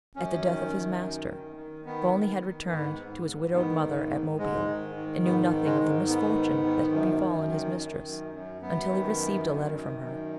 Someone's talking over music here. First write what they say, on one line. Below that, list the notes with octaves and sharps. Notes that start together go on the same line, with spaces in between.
At the death of his master, Volney had returned to his widowed mother at Mobile, and knew nothing of the misfortune that had befallen his mistress, until he received a letter from her.
F#2 C#4
D#3
F#2
D#3
D#3
D#3
D#3 B3
D#3
D#3
G#2 B3
G#2
G#2
D#3 B3
G#2
G#2
G#2 G#3
D#3
D#3
G#2 B3
D#3
G#3
G#2
D#3 B3
G#2
D#3
F#2
F#2
D#3
D#3
F#2
F#2
F#2 B3
D#3
F#2
D#3
F#2
D#3